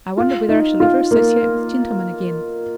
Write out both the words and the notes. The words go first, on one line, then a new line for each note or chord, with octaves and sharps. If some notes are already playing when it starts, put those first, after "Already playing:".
I wonder whether I shall ever associate with gentlemen again?
F4
D#4
F4
A#3